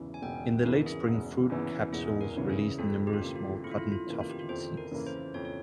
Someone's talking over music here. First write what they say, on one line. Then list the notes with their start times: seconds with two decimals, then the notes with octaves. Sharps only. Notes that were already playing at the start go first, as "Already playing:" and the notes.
In late spring fruit capsules release numerous small cotton-tufted seeds.
Already playing: E1 E2 C#3 E3
0.14 G#5
0.22 E1 G5
0.64 E2 C#3 E3 A#4
0.86 G#4
1.08 E1
1.50 E2 C#3 E3
1.93 E1 G#4
2.21 A#4
2.36 E2 C#3 E3
2.50 G#4
2.78 F2 F4
3.07 G4
3.13 F4
3.21 C#3 E3 A#3 G4
3.36 F4
3.64 F2 E4
3.71 F4
3.78 E4
3.92 F4
4.06 C#3 E3 A#3
4.21 F4
4.29 G4
4.39 F4
4.49 F2 C5
4.77 A#4
4.91 C#3 E3 A#3
5.07 C5
5.34 F2 C#5
5.45 C#5